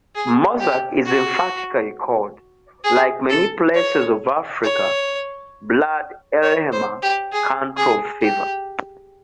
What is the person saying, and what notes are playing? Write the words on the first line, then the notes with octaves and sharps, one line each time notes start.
Mourzuk is emphatically called, like many places of Africa, "Blad Elhemah", country of fever.
G#4
G4
F#4
G#4
A4
C#5
C#5
C#5
C5
G4
G#4
G#4
G4